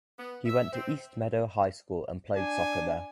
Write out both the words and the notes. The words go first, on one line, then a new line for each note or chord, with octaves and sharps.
He went to East Meadow High School and played soccer there.
B3
E5
C4
D4 G#5